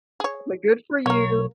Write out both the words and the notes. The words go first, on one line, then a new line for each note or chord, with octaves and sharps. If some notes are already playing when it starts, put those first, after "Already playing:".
like, "Good for you."
G#4 C#5
B1 A#3 A#4 C#5